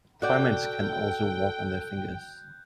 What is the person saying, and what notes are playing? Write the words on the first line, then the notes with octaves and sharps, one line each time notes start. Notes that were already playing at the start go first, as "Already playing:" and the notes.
Primates can also walk on their fingers.
F#4 A4 D5 G5 F#6 G6